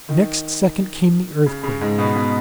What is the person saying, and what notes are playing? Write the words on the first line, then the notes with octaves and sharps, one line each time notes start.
Next second came the earthquake.
D#3
C#3
C#3
G#2 G#3
B2 B3
B2 B3